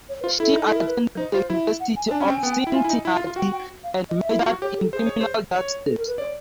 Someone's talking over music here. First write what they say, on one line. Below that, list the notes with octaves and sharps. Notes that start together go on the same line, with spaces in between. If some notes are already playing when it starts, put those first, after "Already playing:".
She attended the University of Cincinnati, and majored in Criminal Justice.
C#5
B4
F4 C5
E4 A4
D#4
A4
E4
A#4
B4
D#4 C5
F4 C5
E4
F#5
G#5
D4 G#5
C#4
C4 G5
G#5
B3 G5
G#5
G5
E4
F4 G#5
E4
D#4
E4
F4
F4
F#4 G5
G5
F5
D#5
E5
E4
F4
F#4
G4 C#5
A4
G#4 C5
C#5
C5
C#5
A4
A#4
B4
C#5 D5